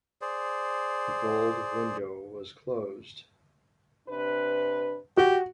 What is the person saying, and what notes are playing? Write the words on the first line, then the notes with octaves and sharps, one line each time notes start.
The "gold window" was closed.
G#4 C5 D5
C3 D4 B4
F#4 G4